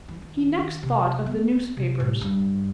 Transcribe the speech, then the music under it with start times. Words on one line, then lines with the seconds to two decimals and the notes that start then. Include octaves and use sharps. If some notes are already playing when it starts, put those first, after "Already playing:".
He next thought of the newspapers.
0.08 E3
0.22 D#3
0.83 C3
1.26 B3
1.77 C3
2.00 A2
2.21 G2